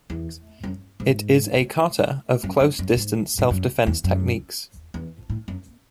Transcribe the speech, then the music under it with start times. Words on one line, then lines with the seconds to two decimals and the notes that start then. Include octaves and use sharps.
It is a kata of close-distance self-defense techniques.
0.10 E2
0.63 F#2
1.00 G#2
2.43 F#2
2.60 F#2
2.79 F#2
2.96 G#2
3.39 G#2
3.51 F#2
3.87 E2
4.04 F#2
4.94 E2
5.30 A2
5.48 F#2